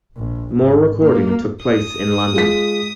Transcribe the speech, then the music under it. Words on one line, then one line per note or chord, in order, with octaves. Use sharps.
More recording took place in London.
A#1
G#1
A#3
D#6
G#3 F4 B6